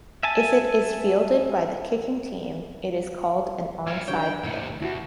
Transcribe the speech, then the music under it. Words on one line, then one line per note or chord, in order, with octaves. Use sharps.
If it is fielded by the kicking team, it is called an onside kick.
E5 G#5 A5
G3 F4 G#6
D3 F#3 D4 C#5 G5
D#2 A2 C3
D#2 E4 F#4